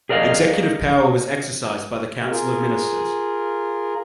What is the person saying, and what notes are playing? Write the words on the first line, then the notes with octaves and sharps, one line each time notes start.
Executive power was exercised by the Council of Ministers.
G#4 A#4 D5 D#5 F5
F4 G#4 A#4